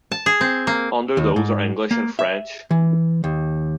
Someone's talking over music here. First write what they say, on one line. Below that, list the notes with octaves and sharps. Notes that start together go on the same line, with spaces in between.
Under those are English and French.
A5
G#4
C4
A#3
D#2
G#2
A#3
E5
E3
D#2